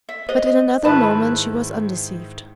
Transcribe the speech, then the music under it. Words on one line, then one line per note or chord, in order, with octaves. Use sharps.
But in another moment she was undeceived.
E5
C5 D#5
G#2 D#3 E4 B4 A5